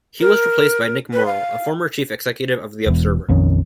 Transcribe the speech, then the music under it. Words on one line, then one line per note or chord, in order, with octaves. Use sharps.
He was replaced by Nick Morrell, a former chief executive of The Observer.
A#4
B4
F5
E1 E2
A#1 F2 D#3 C#4